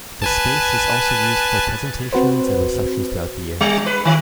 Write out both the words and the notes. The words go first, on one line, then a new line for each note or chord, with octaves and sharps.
The space is also used for presentations and receptions throughout the year.
B4 G#5 A5
C4 F#4 B4 C5
G3
B4
D#3